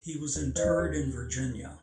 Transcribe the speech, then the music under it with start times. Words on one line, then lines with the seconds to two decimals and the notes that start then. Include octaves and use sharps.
He was interred in Virginia.
0.35 D#2
0.56 E3 C5 D#5
0.79 D#2 G4